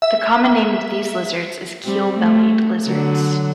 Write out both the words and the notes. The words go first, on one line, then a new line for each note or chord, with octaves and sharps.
The common name of these lizards is Keel-bellied Lizards.
E5
G3 C4
A3
D3 F#3